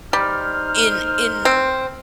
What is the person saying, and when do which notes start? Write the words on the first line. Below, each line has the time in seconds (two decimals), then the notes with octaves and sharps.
in in
0.13 G3 D#4 C5 F6
1.45 C4